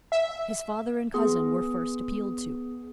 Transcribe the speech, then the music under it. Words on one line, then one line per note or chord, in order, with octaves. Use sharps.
His father and cousin were first appealed to.
E5
B3 G#4